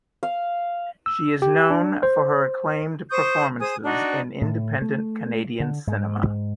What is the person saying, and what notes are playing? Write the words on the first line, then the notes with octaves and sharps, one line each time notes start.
She is known for her acclaimed performances in independent Canadian cinema.
F5
E6
G4
D4
C5
C5 C#6 D#6 G6
G#4 C5 G#5 D#6
D4 D#4 F#4 D5
A2
A3
D3
G#2